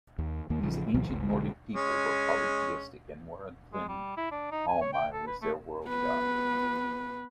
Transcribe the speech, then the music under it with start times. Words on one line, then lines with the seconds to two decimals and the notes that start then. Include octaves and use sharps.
These ancient Nordic people were polytheistic and "Waralden Olmai" was their "world-god".
0.18 D#2
0.50 D#2 D#3 A#3
0.63 A1 C#3 F3
0.94 C#2 B2 E3 F#3
1.09 G1 C#2
1.29 B1 D3 G#3
1.75 G#3 C#4
3.73 G#3
3.89 G3
4.17 E4
4.31 D4
4.52 D#4
4.68 G#5
4.81 C#5
4.93 G5
5.13 A4
5.27 B4
5.42 A3
5.86 B3 B4